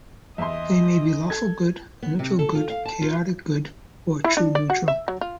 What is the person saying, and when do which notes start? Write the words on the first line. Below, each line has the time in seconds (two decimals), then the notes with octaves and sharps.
They may be lawful good, neutral good, chaotic good, or true neutral.
0.38 E2 D#5 E5 C6
1.30 A4 G#6
2.03 B3
2.19 C3
2.39 A4
2.55 F4
2.70 F5
2.85 A5
3.01 F4
4.24 E4
4.37 D4
4.55 D5
4.70 F#4
4.88 E5
5.08 F#3
5.21 F4